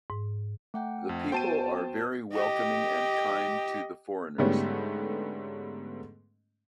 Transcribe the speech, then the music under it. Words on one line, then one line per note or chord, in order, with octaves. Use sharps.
The people are very welcoming and kind to the foreigners.
G#2
A3 F#5 G5
F2
B3 F#4 C5 G5 A5 D#7
G4 D#5
G#2 D3 G3 A3 B3 C#4